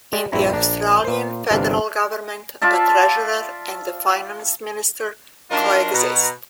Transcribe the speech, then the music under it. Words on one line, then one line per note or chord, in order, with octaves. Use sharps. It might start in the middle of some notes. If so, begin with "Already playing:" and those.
In the Australian federal government a treasurer and a finance minister co-exist.
G#3 G4 D5
A#1 G2 C4 E4 C#5 A#5
A#1 D4 A#5
A#2 C5
G1 C3 E3 D4 F5
F4 D5 E5 A5
F#3 D4 D#4 F4 A#4 F5
B2 A#5